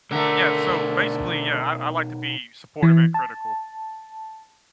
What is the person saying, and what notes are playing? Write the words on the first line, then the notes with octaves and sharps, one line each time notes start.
Yeah, so, basically, yeah, I I like to be supportive and critical.
B1 D3 A3 A#4
E3
A5